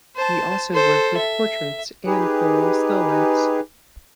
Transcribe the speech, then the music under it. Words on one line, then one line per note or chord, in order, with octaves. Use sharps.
He also worked with portraits and floral still lifes.
C5 A5
A4 C5
E5
D#4 G4 G#4 B4